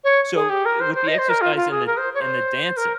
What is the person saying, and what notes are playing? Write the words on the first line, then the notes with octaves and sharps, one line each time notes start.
So, i with the exercise and the and the dancing,
C#5
G#4
G4
A#4
C5
C5
D#5
C5
A#4
F4
F4
G#4
A#4
C5
C#5
C5
A#4